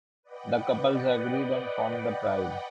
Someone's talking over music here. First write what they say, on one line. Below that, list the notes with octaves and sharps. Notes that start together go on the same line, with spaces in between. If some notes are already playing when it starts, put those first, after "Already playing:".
The couples agreed, and formed The Pride.
B4 D5 D#5 F#5 G5